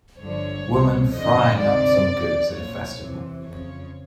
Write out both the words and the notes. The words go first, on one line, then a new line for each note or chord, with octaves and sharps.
Woman frying up some goods at a festival.
G1 G2 D3 F3 C#5
C2 C3 E3
G1 F2 D3 F3 D#5
D2 C3 D#3 D5
E2 B2
B1 A#2 F3 C#5
E2 C3 E3
F2 C#3 F3 C#5